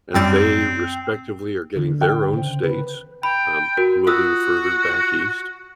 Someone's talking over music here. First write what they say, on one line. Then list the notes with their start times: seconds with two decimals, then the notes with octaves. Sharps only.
and they respectively are getting their own states, um, moving further back East.
0.14 F#2 G3 C4 A6
1.76 D3 E3
2.01 G5
2.34 C#3 C5
2.63 B4
3.23 G5 B5
3.77 F#4 A#4
4.07 F4 F#4 D#6 E6